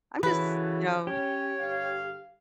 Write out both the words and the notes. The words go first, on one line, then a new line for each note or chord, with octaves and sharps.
I'm just, you know,
C#3 E3 E4 F#4 A4 B4
C#4 G4 C#5
G2 D3 F5